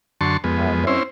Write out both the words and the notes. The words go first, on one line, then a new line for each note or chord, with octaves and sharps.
I know.
F#2 D3 A5 C6 C#6
F2 G#3 B3
C4 C#4 E4 C5